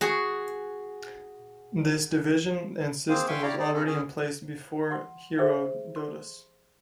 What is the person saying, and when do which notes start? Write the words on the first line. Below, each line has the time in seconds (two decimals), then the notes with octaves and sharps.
This division and system was already in place before Herodotus.
0.01 F#4 G#4
3.09 A#3 C4 G#4 C5 F5
3.28 E5 F5 G5 G#5 C6 C#6
3.42 E4 G4 C#5 D5 F5 A#5
3.59 D#4 G#4 D5
3.73 C#3 C#4 A4
3.87 C#4 G#4
4.91 F#5 C6
5.38 G4 G#4 C5 E5 G5
5.96 C6